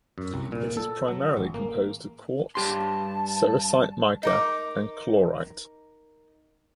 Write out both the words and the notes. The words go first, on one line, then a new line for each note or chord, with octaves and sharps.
It is primarily composed of quartz, sericite mica, and chlorite.
F#2
C2
A#2
A4
F#3
A1
A#3
G2 G4 A5 C6
D#4 A#4 D6